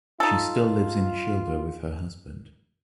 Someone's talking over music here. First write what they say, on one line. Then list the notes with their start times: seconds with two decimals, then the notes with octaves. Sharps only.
She still lives in Schilda with her husband.
0.20 D#4 F4 A4